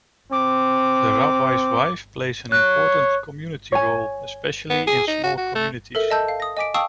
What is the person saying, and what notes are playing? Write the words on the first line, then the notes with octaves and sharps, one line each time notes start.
The rabbi's wife plays an important community role, especially in small communities.
C4 D6
C#5 F#6
C#5 G#5
B3
G#4
D#4
F#4
F#4
A3
A4 A#4 E5
D#5 E5 A5 E6 G6
F5
D#6 A#6
D#5 G#5 D6 B6 D7
F5 G5 A5 C#6 D#6 E6